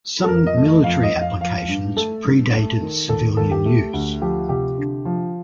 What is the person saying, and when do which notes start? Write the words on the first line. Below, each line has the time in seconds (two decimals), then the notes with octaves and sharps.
Some military applications pre-dated civilian use.
0.24 A4
0.28 F2 A#4
0.47 D#5
0.56 A3
0.65 D#5
0.84 F2 F5
1.03 D#5
1.12 F2
1.21 F5
1.41 F3 F5
1.68 G2
1.96 A3 A4
2.24 G2
2.53 A3
2.81 D#3
3.08 D#2 A4
3.37 D#2 A4
3.51 G4
3.66 A3
3.93 D2
4.21 F3 G4
4.49 C3 G4
4.78 D3
5.05 F3